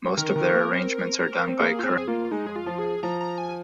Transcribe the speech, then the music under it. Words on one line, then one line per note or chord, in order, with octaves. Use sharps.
Most of their arrangements are done by current or former members of the group.
D#3 A#4
D#3
A#3
C4
C4
A#3 G#4
F4
C4 G#4
G#4
A#3 F4
G#3 D#4
G#4
F4
F3
G#4
F3 A#5
A#5
G#5